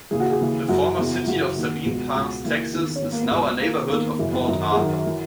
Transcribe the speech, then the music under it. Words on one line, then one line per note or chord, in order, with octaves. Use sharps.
The former city of Sabine Pass, Texas is now a neighborhood of Port Arthur.
D#2 C#3 E3 G#4
F#4
G#4
D#2 C#3 E3
F#2 E3 F#4
E2 C#3 E3
F#2 C#3 E3 F#4
D#2 D#3
C#2 B2
C#2 B2
D#2 C#3 E3 A#3
E2 D#3
C#4
D#2 D#3 B3
A#3
B3
C#2 B2
D#2 D#3 A#3
E2 D#3 A#3
F#2 C#3 E3
B3
F#2 D#3 D#4
G#4
F#2 D#3 F#4
E3